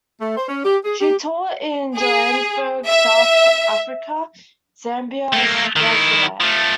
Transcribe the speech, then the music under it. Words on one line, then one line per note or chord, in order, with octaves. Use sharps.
She taught in Johannesburg, South Africa, Zambia, Swaziland.
A3
C5
C#4
G4
G#4
G4
G#4
E5
A3 A#3
D#3 E4
F3 A3